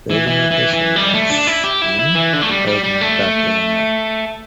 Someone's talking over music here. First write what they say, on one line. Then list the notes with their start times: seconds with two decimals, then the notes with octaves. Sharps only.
The original location was in Elmwood Park, Illinois.
0.10 E3
0.27 E3
0.51 E3
0.73 E3
0.96 G3
1.14 A3
1.30 D4
1.47 E4
1.64 G4
1.82 E4
1.99 E4
2.15 E3
2.33 D3
2.41 A3
2.50 G3
2.67 G3
2.84 G3
3.01 A3